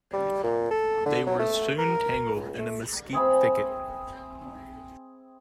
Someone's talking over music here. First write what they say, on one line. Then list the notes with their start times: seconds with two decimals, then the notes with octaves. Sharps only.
They were soon tangled in a mesquite thicket.
0.13 G3
0.43 A#2
0.71 A4
1.06 D3
1.26 F#3
1.39 A3
1.78 A#4
2.35 C#2
2.59 A3
3.13 C4 G#4 E5 B5